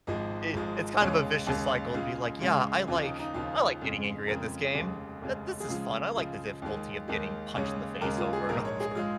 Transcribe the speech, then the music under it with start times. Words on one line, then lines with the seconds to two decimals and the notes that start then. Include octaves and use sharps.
i it's kind of a vicious cycle to be like, "Yeah. I like I like getting angry at this game. Th this is fun. I like the difficulty of getting punched in the face over and over."
0.07 G#1 G#2 F3 G#3 D#5
0.54 G#1 G#2 F3 G#3
1.01 D#2 C#3 G#3 C#5
1.47 D#2 C#3 G#3
1.94 C#2 C#3 G#3 F4
2.41 C#2 C#3 G#3
2.88 D#2 C#3 F3 F4
3.03 D#4
3.19 D#4
3.34 D#2 C#3 F3 F4
3.81 F2 C#3 G#3
4.27 F2 C#3 G#3 A#4
4.74 F1 D#2 C#3 G#3
5.21 F1 D#2 C#3 G#3
5.60 G#4
5.68 C#2 C#3 F3 G#3 F4
6.16 C#2 C#3 F3 G#3
6.62 D#2 D#3 G#3
7.08 D#2 D#3 G#3
7.55 D#2 C#3 G#3 C#5
8.01 D#2 C#3 G#3 A#4
8.17 F4
8.33 G#4
8.49 A#1 G#2 G#3 A#4
8.65 C#5
8.80 G#4
8.95 G#3 F4